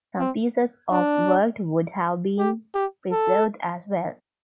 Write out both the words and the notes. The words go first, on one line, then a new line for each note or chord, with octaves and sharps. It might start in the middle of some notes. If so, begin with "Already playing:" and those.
Some pieces of worked wood have been preserved as well.
C4
D4
G4
G4
A4